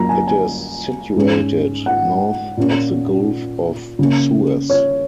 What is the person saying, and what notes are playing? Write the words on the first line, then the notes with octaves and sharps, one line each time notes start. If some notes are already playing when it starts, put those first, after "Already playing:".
It is situated north of the Gulf of Suez.
Already playing: F#2 F#3 A#3 A#5
G#5
G#5
G#2 G#3 C#4
F#5
A#2 A#3 C#4
C#3 A#3 C#4
C#5